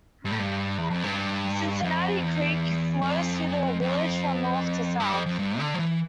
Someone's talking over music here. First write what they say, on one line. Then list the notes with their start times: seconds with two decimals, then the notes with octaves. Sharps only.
Cincinnati Creek flows through the village from north to south.
0.25 G2
0.31 A2
0.39 G2
0.78 E2
0.91 F2
1.04 G2
1.83 F2
2.23 E2
3.02 F2
3.81 F2
5.00 G2
5.13 F2
5.26 F2
5.39 G2
5.59 D3
5.74 F3
5.79 E3